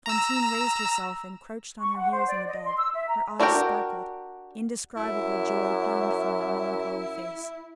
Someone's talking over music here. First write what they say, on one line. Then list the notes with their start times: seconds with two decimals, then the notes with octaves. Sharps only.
Fantine raised herself and crouched on her heels in the bed: her eyes sparkled; indescribable joy beamed from that melancholy face.
0.06 A#5 E6
1.80 C#6
1.96 F#5
2.11 C5
2.27 D5
2.47 D#5
2.65 C6
2.77 E6
2.94 E5
3.08 A#5
3.40 D4 F#4 G4 A#4 G5
4.97 F#2 E4